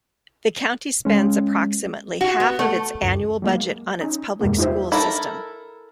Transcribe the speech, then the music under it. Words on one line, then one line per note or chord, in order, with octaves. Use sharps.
The county spends approximately half of its annual budget on its public school system.
G#3 C#4
F#4
B3
A3
C#2 F#2
F#3 G#3 A#3
C#4 D#4
E2 G2 C3 G3 G#3 A#3
D#4 F4 G4 G#4 C5 E5
E4 A4 A#4